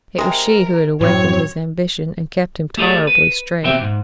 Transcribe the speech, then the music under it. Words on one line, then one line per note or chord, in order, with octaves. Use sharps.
It was she who had awakened his ambition and kept him tolerably straight.
C3 G#3 A#4
F#2 A2 F#3 C4 C#5
A3 G4 G#4 B4 D5
B4
D#2 B2 C4 G4 E5
G#2